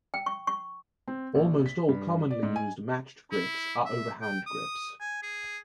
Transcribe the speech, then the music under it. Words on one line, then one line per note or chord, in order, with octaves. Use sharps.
Almost all commonly used matched grips are overhand grips.
G5
C#6
C#6
C4
A#1
B6
G2
D5
G#2
G#5
E4
E5
G5
D#6
G#5
G#4